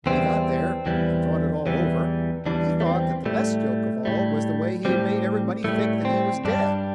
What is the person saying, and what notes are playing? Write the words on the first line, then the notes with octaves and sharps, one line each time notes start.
When he got there and thought it all over, he thought that the best joke of all was the way he had made everybody think that he was dead.
E2 E3 G3 C4
E2 E3 G3
E2 E3 G3
E2 E3 G3 D4
A3
C4
A2 G3 A3
A2 G3
A2 G3 C4
A2 G3 A3
C4
G2 G3 D4